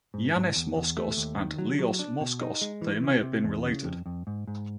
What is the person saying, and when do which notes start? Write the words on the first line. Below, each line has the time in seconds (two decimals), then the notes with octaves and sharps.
Ioannis Moskos and Leos Moskos they may have been related.
0.14 G#2
0.36 G#2
0.56 E2
0.76 E2
0.97 A3
1.17 D#2
1.38 D#3
1.58 F#3
1.79 F#3
1.99 D4
2.21 B2
2.41 D#4
2.61 G#3
2.82 E3
3.03 C3
3.23 C3
3.44 E2
3.65 C#3
3.85 F2
4.06 F2
4.27 G#2
4.47 G#2